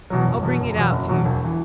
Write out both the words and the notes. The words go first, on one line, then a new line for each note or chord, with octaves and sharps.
I'll bring it out to you.
E2 B2 F#3
F#1
E2 B2 F#3
F#1
E2 B2 F#3
F#1
E2 B2 F#3
E1
E3